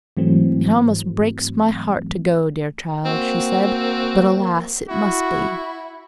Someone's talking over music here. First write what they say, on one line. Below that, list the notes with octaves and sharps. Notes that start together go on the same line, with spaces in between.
'It almost breaks my heart to go, dear child,' she said, 'but, alas! it must be.'
G#2 E3 F#3 A3 C4
A#3 C4 F#4
E4 F#4